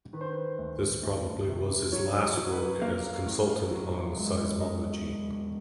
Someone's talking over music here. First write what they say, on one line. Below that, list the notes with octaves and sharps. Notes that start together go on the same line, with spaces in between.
This probably was his last work as consultant on seismology.
D#3 B4
C5
B4
D2
D2
C3
F#3 C#5
F#3
B4
A#3 F5
A2
F#3
E1
E1 D#5
E1